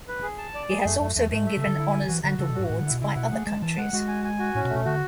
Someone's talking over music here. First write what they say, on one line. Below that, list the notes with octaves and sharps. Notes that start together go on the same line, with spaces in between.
He has also been given honours and awards by other countries.
B4
G#4
A5
D5
G#4
F#2 A3
F#2 A3
E2 A3
G#2 A3
E5
C#3
D3 A4
E4
G#5
E3 F#4
D3 F#4
C#3 A4
B2
G#2 F#4
A2 F#5
D3
B2 E4
C#3 E4
B2 F#5
A3 G#4
G#3 A5
E3 A5
G#3 F#5
G#3 F#4
G#5
G#5
F#4
A2 C#4
B2
A3
B2
D3 F#4